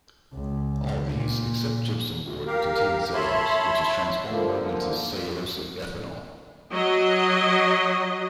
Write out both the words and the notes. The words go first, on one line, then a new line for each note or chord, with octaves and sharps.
All these, except gypsum board, contain cellulose, which is transformable into cellulosic ethanol.
C#2
A#2
G4 A#4 F5
C#5 E5 A5 B5 C6
D3 F3 A#3
F#3 D#5